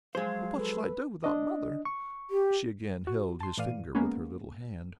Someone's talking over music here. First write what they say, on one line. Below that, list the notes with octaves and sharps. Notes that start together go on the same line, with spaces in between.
"But what shall I do without mother?" She again held his finger with her little hand.
F3 F#3 G#3 G#4 C5 F5
A4 B4
D4 D#5
C#6
G4
F#4
A5 C6
A2 E3 D5 F5 D#7
G#3 A#3 B3 C#4